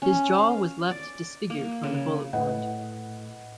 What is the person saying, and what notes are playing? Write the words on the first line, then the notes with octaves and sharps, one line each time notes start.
His jaw was left disfigured from the bullet wound.
C#4
F5
D5
A#3
C#3
A2 B4 D#5 F#5